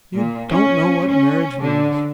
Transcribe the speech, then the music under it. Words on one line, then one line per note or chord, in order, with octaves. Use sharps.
"You don't know what marriage means!"
A#2
C#4
C#4
D3